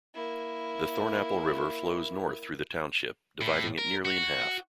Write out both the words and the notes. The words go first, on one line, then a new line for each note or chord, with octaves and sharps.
The Thornapple River flows north through the township, dividing it nearly in half.
A#3 E4
A2
A#4
F#4